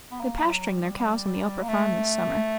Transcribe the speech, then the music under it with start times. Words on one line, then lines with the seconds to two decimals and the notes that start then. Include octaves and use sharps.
They're pasturing their cows on the upper farm this summer.
0.11 B3
0.21 A#3
0.44 F#3
0.70 G3
1.62 A#3
1.68 A3